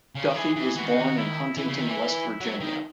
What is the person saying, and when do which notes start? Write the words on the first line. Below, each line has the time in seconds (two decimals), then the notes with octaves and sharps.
Duffey was born in Huntington, West Virginia.
0.15 C#3
0.25 D#3
0.36 E3 G#4
0.56 E3
0.76 E3 F#4
0.84 D#3
0.92 C#3
1.00 D#3
1.17 E4
1.58 E3 E4
1.68 C#3
1.79 D#3
1.88 E3
2.40 F#3
2.61 D#3